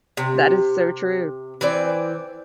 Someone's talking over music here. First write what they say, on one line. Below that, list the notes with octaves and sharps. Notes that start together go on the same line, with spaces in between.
That is so true.
C3
E3 C4 D5